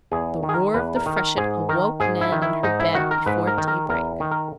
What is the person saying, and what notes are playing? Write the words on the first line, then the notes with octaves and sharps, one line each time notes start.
The roar of the freshet awoke Nan in her bed before daybreak.
E2 G#4
D#3
G#4
A#4
E2 B4
A#4
D#3
A#4
G#2 G#4
D#3 A#4
G#2 G#4
E4
D#3
E4
G#2 D#4
E4
D#3 F#4
A#4
G#2 B4
A#4
D#3
A#4
E2 A#4
D#3
A#4